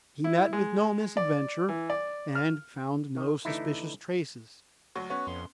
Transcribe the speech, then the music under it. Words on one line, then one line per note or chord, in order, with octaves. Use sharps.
He met with no misadventure and found no suspicious traces.
E4
G#3
D5
E3
D5
F6
D#3
D3 E3 A3 D#4 E4
D2 F#3 C#6
B3 C#4 F#4
F2 C6